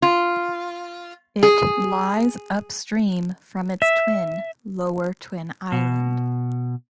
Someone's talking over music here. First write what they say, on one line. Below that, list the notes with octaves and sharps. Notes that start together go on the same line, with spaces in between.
It lies upstream from its twin, Lower Twin Island.
F4
G#4
E5
B2